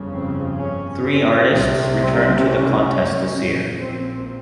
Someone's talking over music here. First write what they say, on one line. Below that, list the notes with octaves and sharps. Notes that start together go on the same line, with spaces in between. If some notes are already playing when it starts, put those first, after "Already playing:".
Three artists returned to the contest this year.
Already playing: G1 F2 C#3
C4
C#4
C4
C2 C3
C4
C#4
A#1 A#2
C4